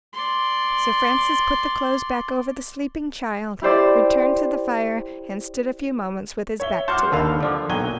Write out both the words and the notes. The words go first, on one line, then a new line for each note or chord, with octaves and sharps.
Sir Francis put the clothes back over the sleeping child, returned to the fire, and stood a few moments with his back to it.
D5 C6
E4 G4 C5 D5
C#5 E5 G7
F#4 C5 F#5 A5 C6 D6 F6 G6
D#2 D3 A#4 F5 B5
D3 F3 A4 D5 D6
B1 A#2 F#3 G5 G#5 G7